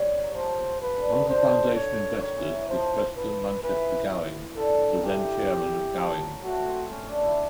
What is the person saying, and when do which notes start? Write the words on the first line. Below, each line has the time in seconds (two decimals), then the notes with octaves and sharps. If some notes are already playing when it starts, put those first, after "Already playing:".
One of the foundation investors was Preston Lanchester Gowing, the then chairman of Gowings.
Already playing: G3 C#5
0.23 F#3
0.34 F3 C5
0.81 B4
0.97 D3
1.12 D#3
1.28 D3 C5
1.75 C#5
2.22 D#3 C#5
2.38 E3
2.54 F#3
2.69 F3 C5
3.16 B4
3.63 E3 B4
4.57 D3 A4
4.94 D#3
5.03 E3 G4
5.98 F3
6.21 F#3
6.44 A3 F#4
6.69 C4
6.92 C#4
7.07 D4
7.23 E4